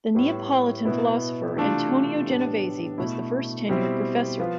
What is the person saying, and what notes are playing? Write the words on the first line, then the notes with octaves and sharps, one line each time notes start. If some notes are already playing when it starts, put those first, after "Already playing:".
The Neapolitan philosopher Antonio Genovesi was the first tenured professor.
A2 G3 B3
B2 B3 E4
C3 E3 A3 D4 F4
A2 G3 B3 D4
B2 A3 E4
B2 G3 C4 E4
F3 B3 F4